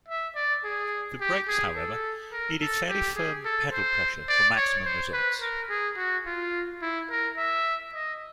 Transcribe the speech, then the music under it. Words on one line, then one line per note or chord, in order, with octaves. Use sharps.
The brakes, however, needed "fairly firm pedal pressure ... for maximum results".
E5
D5
G#4
G4
G#4
A4
A#4
A4
G4
G#4
A4
C5
D5
C#5
C5
B4
A#4
G#4
F#4
F4
E4
A#4
E5
D#5